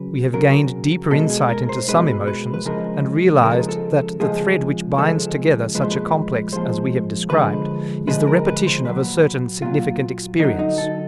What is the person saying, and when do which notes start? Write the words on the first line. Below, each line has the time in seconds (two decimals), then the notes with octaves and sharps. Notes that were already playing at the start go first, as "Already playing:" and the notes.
We have gained deeper insight into some emotions and realize that the thread which binds together such a complex as we have described is the repetition of a certain significant experience.
Already playing: C#3 F#3 B4
0.33 C#3 F#3 A#4
1.11 B2 G#3 A4
1.30 G#4
1.49 A#4
1.69 C5
1.88 B2 G#3 B4
2.27 B4
2.54 B4
2.65 C#3 F3 G#3 A#4
3.43 C#3 F3 G#3 A#4
3.52 A4
3.60 G#4
3.69 A4
4.20 C#3 F3 G#3 G#4
4.98 C#3 F3 G#3 A4
5.75 A#2 F3 G#3 B4
5.83 C5
5.91 B4
6.52 A#2 F3 G#3 C5
7.30 D3 F3 G#3 B4
8.08 D3 F3 G#3 B4
8.27 A#4
8.47 B4
8.66 C5
8.85 A#2 F#3 B4
9.62 A#2 F#3 F4
10.39 D3 F#3 D#4
10.59 D#4
10.78 A4